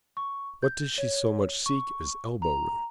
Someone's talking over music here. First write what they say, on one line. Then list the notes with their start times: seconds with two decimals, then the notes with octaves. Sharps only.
What does she so much seek as elbowroom?
0.17 C#6
0.63 G6
0.98 C#5
1.66 C#6
2.42 A#5